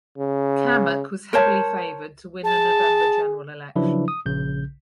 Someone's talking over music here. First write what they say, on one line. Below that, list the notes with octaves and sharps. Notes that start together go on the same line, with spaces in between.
Cammack was heavily favored to win the November general election.
C#3
A#4 C5 C#5 A5
G#4 A5
C#3 F3 F#3 D4 E4 B4
D#6
A#1 C#3 G6